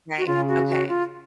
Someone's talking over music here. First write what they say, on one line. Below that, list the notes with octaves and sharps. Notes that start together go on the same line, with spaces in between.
Right, okay.
F#4
C#3 F4
F#4
F#4
F4